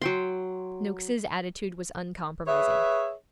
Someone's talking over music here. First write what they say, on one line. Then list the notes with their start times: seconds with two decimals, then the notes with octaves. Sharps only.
Noakes's attitude was uncompromising.
0.02 F#3 G5 C6
2.46 G#4 B4 C#5 E5